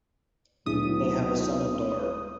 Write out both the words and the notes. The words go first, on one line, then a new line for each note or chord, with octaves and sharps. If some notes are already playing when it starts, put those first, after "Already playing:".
They have a son and daughter.
D1 B1 A#2 A3 D4 E4 G#4 D#6